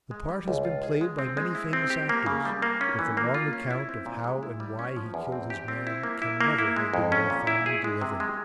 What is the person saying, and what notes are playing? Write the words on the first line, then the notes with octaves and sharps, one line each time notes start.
The part has been played by many famous actors, but the long account of how and why he killed his man can never have been more finely delivered.
G#3
G3
C#2
F4
G#4
G#3
C4
G#3
E4
C4
G4
A#3
C#3
G3
A#3
C#4
E3
A#3
F4
C#4
E4
C4
A#2
G#3
E4
G3
C#4
F3
E2
C4
G4
C4
E4
A#3
E4
A#3
E4
G#3
F2
C#4
A#2
E4
G#4
G#3
C3
G#3